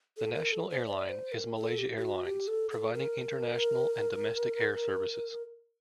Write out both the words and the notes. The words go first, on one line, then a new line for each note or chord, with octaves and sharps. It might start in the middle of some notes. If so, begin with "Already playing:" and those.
The national airline is Malaysia Airlines, providing international and domestic air services.
A4
A#4
A4
C5
D5
C5
A#4
A4
G4
G4
F#4
G4
A4
A4
A#4